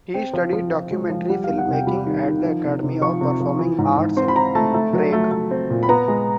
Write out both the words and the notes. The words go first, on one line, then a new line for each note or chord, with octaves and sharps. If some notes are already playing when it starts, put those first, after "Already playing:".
He studied documentary filmmaking at the Academy of Performing Arts in Prague.
C4 G5
F3
F3
F3
G#3
F3
G3 F#5
F5
E2
F#5
C3 G5
G3 B5
D#3
D#3
F3
C3
C3
F3 C#6
C3
F3
E3
G#2
G#2
C4 C6
B5
C4 A#5
A3 A5
A3
F#3
A3
A3
C4
A#2
B5
B3 A#5
G#3